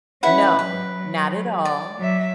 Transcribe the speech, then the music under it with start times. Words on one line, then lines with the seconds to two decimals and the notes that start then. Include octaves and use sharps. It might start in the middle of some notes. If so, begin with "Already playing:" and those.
No, not at all.
0.23 C#4 E4 B4 F#5
0.59 F#3 B4
1.65 D5
1.99 F#3 E5